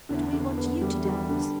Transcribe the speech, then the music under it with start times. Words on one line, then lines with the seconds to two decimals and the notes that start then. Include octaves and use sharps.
'But we want you to dance.'
0.09 E2 D3
0.33 D3
0.58 B3
0.81 G3
1.05 G3
1.29 D3